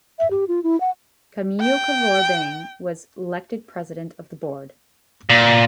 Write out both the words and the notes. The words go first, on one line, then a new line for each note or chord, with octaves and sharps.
Camillo Cavour Bang was elected president of the board.
E5
G4
F4
E4
F#5
G5
A#2